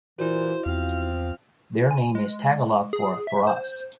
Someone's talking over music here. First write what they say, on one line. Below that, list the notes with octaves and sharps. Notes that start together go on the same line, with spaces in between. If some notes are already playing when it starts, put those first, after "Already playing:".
Their name is Tagalog for "for us".
A#2 E3 E4 F#4 C5
E2 F3 C4 F5
G#5
G#3
G#4
E5
C5